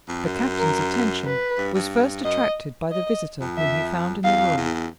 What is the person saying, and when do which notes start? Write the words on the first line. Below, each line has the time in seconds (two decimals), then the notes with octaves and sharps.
The Captain's attention was first attracted by the visitor whom he found in the room.
0.08 F2
0.25 F#2
0.59 A#4
1.25 B4
1.58 G2
1.74 G2
2.24 F#2 D#5
2.91 D#5
3.41 F2
3.57 E5
4.24 E2 F5
4.40 F2
4.57 E2